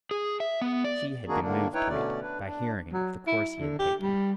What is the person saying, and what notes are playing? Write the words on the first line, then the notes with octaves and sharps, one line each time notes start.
She had been moved to it by hearing of the course he had taken.
G#4
E5
B3
D5
D#3 A#3 D4 D#4 F#4 G#4
A2 D3 A#3 D4
D#4 E4 B4 C#5 G5
B2 D3 A3 C#4 D5
D4 B4
D4
F#3
E4
D3
G4
G3